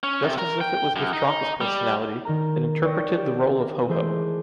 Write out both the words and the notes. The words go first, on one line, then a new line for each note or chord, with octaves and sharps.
Just as if it was with Trancas personality, it interpreted the role of Ho-ho.
C#4
C3
A#4
G5
F#2
D#4
G3
D#3 A#4 A#5
C#5 D5 G5 C#6 D#6 A#6
G4
A#4
E3 G#3 A3 C5 D6